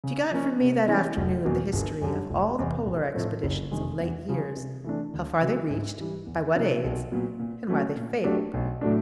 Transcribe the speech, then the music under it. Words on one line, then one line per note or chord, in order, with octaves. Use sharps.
She got from me that afternoon the history of all the Polar expeditions of late years, how far they reached, by what aids, and why they failed.
C#3
F3 A#3 C#4
C3
E3 G#3 C#4 E4
F1
E2 B2 F#3 A#3
G1
F#2 D3 G3
F1
E2 C3
A#1
A2 F3 A3 C4
F#1
F2 C3 D#3 G#3
E2
C#3 F3 G#3 C#4
C3
E3 A3 D4
D2
C#3 F#3
G#2
E3 G3
E2
C3 F3 A#3 D#4
B1
A#2 F#3 B3
A#2
F#3 A3 C#4
A#2
F#3 A3 D4 G4
B1
A2 F#3 A3 D4